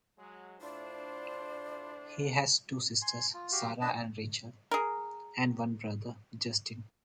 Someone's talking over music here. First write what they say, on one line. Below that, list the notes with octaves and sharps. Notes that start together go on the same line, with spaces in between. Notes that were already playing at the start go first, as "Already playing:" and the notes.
He has two sisters, Sarah and Rachel, and one brother, Justin.
F#3 G#3
A2 D4 E4 F4 C5 D5
G#5 C6
F4
F#4 G4 F5
D4 B4 D#5 A5
G#4 A#4